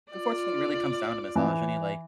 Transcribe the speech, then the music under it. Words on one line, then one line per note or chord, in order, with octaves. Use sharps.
unfortunately really comes down to misogyny. Like,
F4 D5
E3